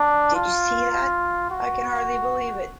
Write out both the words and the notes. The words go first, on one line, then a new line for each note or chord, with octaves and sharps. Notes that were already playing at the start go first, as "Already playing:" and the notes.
Did you see that? I can hardly believe it!
Already playing: D4
F4
F#4